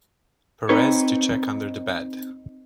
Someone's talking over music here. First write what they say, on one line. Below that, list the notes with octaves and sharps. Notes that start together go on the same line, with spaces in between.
Perez to check under the bed.
C4 D#4 B4 C#5